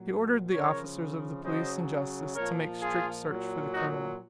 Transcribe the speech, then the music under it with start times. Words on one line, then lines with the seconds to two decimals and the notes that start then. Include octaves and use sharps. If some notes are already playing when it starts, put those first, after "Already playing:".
He ordered the officers of the police and justice to make strict search for the criminal.
Already playing: A#2 F#3
0.52 C#3 F3 A#4 C#5
1.43 C#3 F#3 C5 D#5
2.35 A#2 F3 A#4 C#5
2.81 F4 G#4
3.28 A#2 F#3
3.73 D#4 F#4